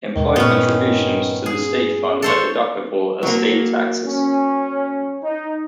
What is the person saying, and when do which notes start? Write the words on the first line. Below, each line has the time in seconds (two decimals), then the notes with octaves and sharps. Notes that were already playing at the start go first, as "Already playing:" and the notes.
Employee contributions to the state fund are deductible as state taxes.
0.16 D#2 B2 D#3 G#3
0.36 G2 A#2 B3 C#4
1.46 G#4
2.22 A4 C5 C#5
3.23 F#3 A#3
4.06 C#4
5.23 D#4